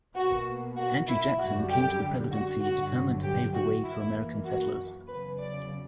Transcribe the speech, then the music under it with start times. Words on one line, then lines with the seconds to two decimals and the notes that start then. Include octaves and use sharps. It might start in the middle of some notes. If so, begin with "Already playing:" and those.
Andrew Jackson came to the Presidency determined to pave the way for American settlers.
0.15 B2 A#3 F#4
0.76 F#4
1.08 E4
1.38 F#2 D3 G3 F#4
1.69 G4
2.31 F#4
2.61 G2 D3 F#3 F#4
3.23 G4
3.52 F#4
3.83 F#2 E3 A#3 E4
4.45 F#4
5.07 E2 C#3 F#3 B4
5.37 D5